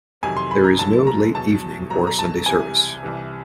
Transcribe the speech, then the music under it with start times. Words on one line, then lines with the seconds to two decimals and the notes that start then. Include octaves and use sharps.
There is no late evening or Sunday service.
0.23 F2 C3 D#3 F#3 G#5
0.37 C6
0.51 B5
0.64 A#5
0.79 D#2 D3 F#3 A5
1.07 A#5
1.34 E2 B2 F#3 A5
1.90 E2 B2 F#3 A#5
2.07 A#5
2.19 A5
2.46 C2 C3 E3 G#5
3.03 C2 C3 E3